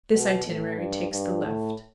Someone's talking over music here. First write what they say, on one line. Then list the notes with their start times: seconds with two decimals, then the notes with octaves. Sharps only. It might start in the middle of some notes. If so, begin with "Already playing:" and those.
This itinerary takes the left.
0.12 B2
0.45 A2
0.78 G2
1.11 G2
1.44 A2